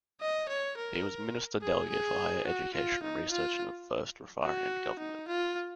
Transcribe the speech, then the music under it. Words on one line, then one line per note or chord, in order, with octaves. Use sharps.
He was Minister Delegate for Higher Education and Research in the first Raffarin government.
D#5
C#5
A#4
G#4
G#4
F#4
F4
D#4
F4
F#4
D#4
F4